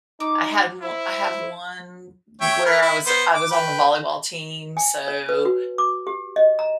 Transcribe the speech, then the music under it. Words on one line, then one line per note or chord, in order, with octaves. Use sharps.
I had o I have one w where I was I was on the volleyball team, so
D#4 D6
E4 C5
C#5 E5 G5
A#4 B5 F6
E4 B5
B3 C5
D6
B4 G5
G#5
C#5
B4
F#4
D6
G4
D#5
A#5